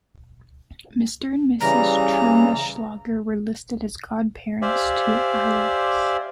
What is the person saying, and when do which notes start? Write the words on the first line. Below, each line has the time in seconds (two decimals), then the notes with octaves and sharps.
Mr and Mrs Trummelschlager were listed as godparents to Alois.
1.61 C#3 E3 G3 A#5
4.62 G4 C5 D5 E5 F5 G#5